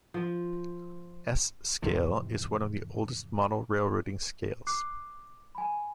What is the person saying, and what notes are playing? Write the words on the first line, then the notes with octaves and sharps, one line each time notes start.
S Scale is one of the oldest model railroading scales.
F3
E2 G#2 C3 F3
D6 F#6 C7
G#5 B5